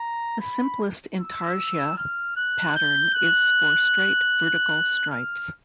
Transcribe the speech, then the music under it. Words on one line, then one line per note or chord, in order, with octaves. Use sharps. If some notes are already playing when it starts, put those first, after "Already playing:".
The simplest intarsia pattern is for straight vertical stripes.
Already playing: A#5
B5
E6
F6
F#6
G6
F#6
F6